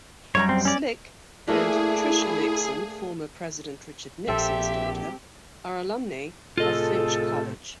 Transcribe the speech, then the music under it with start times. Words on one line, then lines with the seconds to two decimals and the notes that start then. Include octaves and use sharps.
Slick and Tricia Nixon, former President Richard Nixon's daughter, are alumnae of Finch College.
0.35 F#2 G3 C#5 A#5
0.49 C4
0.65 C#4 D5
1.47 A3 A#3 D4 E4 G#4
4.28 A#1 C4 G4 A4 E5
6.58 A2 C3 F4 G#4 A4 D#5